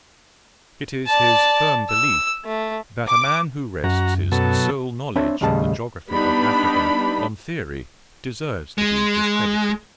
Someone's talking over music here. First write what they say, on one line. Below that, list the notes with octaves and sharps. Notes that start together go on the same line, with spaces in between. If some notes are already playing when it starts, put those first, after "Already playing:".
It is his firm belief, that a man who rests his sole knowledge of the geography of Africa on theory, deserves to be discredited.
D5 A5
E6
A3
D6
F#2 F#4 A#5
B2 F#3 A4
C4 D4 C#5 E5 B5
D#2 A2 C#3 G3 G#4 A5
G3 B3 D4 D#4 B5
G#3